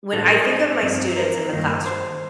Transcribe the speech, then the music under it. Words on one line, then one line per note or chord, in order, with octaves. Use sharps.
when I think of my students in the classroom,
A2 G3 D4 A4
A#4
D5
D#5
G2 F3 C4 D#4
A#4
G2 D#3 A#3 D#4
C5